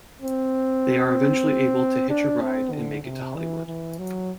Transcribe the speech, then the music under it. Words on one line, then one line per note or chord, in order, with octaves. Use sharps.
They are eventually able to hitch a ride and make it to Hollywood.
C4
D4
C4
D3
C3
E3
E3
F#3